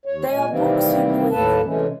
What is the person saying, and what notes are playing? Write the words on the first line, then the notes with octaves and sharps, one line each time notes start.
They are books we believe in.
D#2 C#5
A#2 G#3 G#5
C3 D#3 E3 G3 A#3 C4
D#2 A2 A#3 A4 B4 A5
C3 E3 G#3 A3 C#4